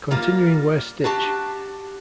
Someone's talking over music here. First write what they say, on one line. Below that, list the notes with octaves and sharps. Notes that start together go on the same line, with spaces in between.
Continuing where Stitch!
G3 A#3 F4
D4 F#4 G4 A5